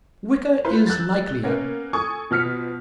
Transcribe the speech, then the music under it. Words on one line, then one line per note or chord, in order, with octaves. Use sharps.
"Wicker IS likelier."
E4 F4 B4 C5
E6 F#6 G6 A6
A#3 B3 C#4
A4 G#5 C#6 D#6 G#6
B2 F3 F6 B6 C#7